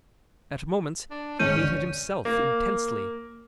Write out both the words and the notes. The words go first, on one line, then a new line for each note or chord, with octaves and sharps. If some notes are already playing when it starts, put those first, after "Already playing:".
At moments he hated himself intensely.
D4
G#2 D#3 G#3 C#4 G6 D#7
D#2 D3
A#3